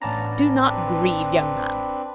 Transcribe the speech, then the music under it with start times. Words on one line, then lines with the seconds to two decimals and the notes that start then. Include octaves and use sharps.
'Do not grieve, young man!
0.02 A1 B3 C#4 D4 A5 A#5
0.64 C4 D4 B4